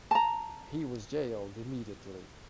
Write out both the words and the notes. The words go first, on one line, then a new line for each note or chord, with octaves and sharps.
He was jailed immediately.
A5 A#5